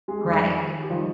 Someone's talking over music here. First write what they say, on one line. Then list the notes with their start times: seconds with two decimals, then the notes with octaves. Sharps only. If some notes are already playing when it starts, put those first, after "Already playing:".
Right, i
0.08 G#3 G#4
0.24 F2 D#3 G3
0.83 G4
0.89 D#3 F3 G3 F4